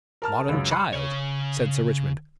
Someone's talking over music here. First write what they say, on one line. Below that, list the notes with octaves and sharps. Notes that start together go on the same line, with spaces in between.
"Modern child," said Sir Richmond.
A#4 A5 F6
C#2 F#2
B5 C6 F#6 C#7
C#3 C#5